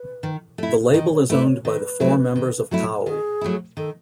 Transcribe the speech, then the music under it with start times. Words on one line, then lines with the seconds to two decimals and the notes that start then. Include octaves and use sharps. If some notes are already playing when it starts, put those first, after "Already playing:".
The label is owned by the four members of Thau.
Already playing: B4
0.23 D#3
0.58 A3 E4
0.94 D#3 D#5
1.12 C#5
1.30 A3 E4 B4
1.43 D#5
1.47 C#5
1.65 D#3 B4
2.00 F#3 A3 E4
2.36 D#3
2.71 F#3 A3 E4
3.06 D#3 G#4
3.41 F#3 A3 E4
3.77 D#3 A4